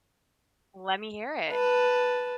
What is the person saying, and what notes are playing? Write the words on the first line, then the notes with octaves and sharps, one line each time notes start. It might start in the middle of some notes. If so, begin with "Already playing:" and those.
Let me hear it.
B4 A5